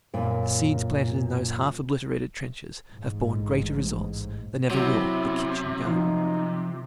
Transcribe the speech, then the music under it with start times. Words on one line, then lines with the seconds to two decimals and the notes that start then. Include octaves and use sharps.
The seeds planted in those half-obliterated trenches have borne greater results than ever will the kitchen-garden.
0.14 F#2 A#2
2.93 A1 G#2
4.70 C3 F#3 E4
5.86 F3 D#4